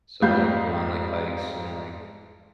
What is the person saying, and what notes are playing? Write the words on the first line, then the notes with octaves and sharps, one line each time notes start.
So I like to go on, like, hikes and, like,
F2 G#2 G3 F5 G6